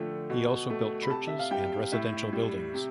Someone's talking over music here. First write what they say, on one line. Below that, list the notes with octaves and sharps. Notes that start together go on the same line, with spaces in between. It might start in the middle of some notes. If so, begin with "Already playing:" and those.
He also built churches and residential buildings.
Already playing: D3 F3 A3 G5
B2
A3
B5
C3 A5
E5
F5
G3 G5
A2 E5
G3
C3